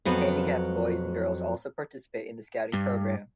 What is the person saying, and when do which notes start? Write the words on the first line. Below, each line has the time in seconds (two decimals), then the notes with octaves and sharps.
Handicapped boys and girls also participate in the Scouting program.
0.05 F2 F#3 B3
2.73 G2